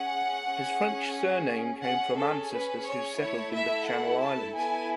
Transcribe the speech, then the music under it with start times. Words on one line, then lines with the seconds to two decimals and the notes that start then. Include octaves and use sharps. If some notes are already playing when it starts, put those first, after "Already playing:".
His French surname came from ancestors who settled in the Channel Islands.
Already playing: C#4 G#4 F#5
0.45 C#4 G#4
1.81 C#4 G#4 F#5
2.15 A4
2.50 B4
2.84 C#5
3.18 A3 E4 A4 C#5
3.52 E5
3.86 F#5
4.20 A5
4.54 B3 E4 A4 G#5